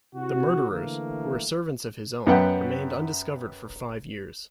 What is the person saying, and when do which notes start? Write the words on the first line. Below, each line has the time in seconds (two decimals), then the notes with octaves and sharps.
The murderers, who were servants of his own, remained undiscovered for five years.
0.15 C3 E4 F#4
0.71 D3 E3 A3 A#3
2.27 F#2 B3 F#5 G5